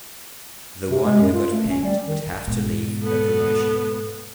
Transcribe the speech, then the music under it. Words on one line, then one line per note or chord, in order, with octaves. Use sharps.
The one who got pinned would have to leave the promotion.
C3
G#3
F#2
F4
A3
C#4
G3
D#3
G#2 B2
B3 A4